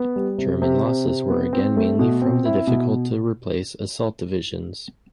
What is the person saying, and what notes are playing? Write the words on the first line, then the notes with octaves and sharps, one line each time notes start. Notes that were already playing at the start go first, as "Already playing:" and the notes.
German losses were again mainly from the difficult-to-replace assault divisions.
Already playing: B3
G3
C3
C3
C3
C3
B3
C4
A3
B2
C4
E4
B2